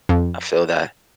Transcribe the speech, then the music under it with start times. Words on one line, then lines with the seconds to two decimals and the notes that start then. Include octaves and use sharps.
I feel that.
0.09 F2